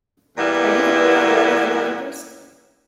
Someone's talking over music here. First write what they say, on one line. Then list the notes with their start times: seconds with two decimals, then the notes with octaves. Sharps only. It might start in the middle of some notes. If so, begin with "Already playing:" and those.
Are you the boy I've read of in the papers?
0.37 E2 A#2 G3 A#3 B3 E4